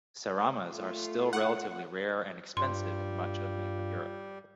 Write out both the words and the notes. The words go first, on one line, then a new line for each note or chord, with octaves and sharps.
Seramas are still relatively rare and expensive in much of mainland Europe.
A3 F4
F#5
G2 G3 F4 C6